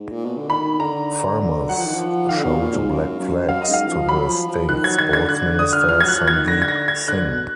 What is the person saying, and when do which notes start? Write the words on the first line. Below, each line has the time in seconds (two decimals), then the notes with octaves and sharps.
Farmers showed black flags to the state sports minister Sandeep Singh.
0.00 G#2
0.12 A#2
0.25 B2
0.37 D3
0.50 D#3 B5
0.80 D3 A#5
1.69 F#3 F#5
1.78 F3
1.86 D#3
1.94 F3
2.29 D#3 F5
2.38 D3
2.44 B2
2.59 A#2
2.75 G#2
2.90 F#2
3.20 F#2
3.49 F#2 F5
3.61 D#5
3.69 G#2 F5
3.89 F3
4.09 F#3 B5
4.28 F3
4.48 F3
4.68 D#3 F#6
4.84 F#3 G#6
4.99 D#3 G#6
5.13 D3 G#6
5.28 D3 F#6
5.59 D3 D#6
5.73 F6
5.88 F3 F6
6.00 G#6
6.04 F#3 F#6
6.18 F3
6.28 G#6
6.33 D#3
6.48 D3 A#6
6.62 G#6
6.68 A#6
6.88 G#6
7.08 D3 F#6
7.28 B2